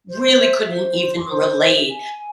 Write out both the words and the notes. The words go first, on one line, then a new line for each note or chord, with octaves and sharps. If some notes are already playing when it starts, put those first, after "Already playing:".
really couldn't even relate.
C5
E5
C5
C6
C5
E5
G#5